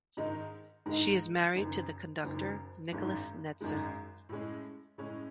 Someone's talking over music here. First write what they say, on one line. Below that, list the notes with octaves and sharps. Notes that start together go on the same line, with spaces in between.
She is married to the conductor Nikolaus Netzer.
G#2 D#3 G#3 D#4
G#2 D#3 G#3 D#4
F#1 F#2 D#3
F#1 F#2 D#3
G#1 F#2 D#3 G#3
G#1 F#2 D#3 G#3
A2 G#3 C#4
A2 G#3 C#4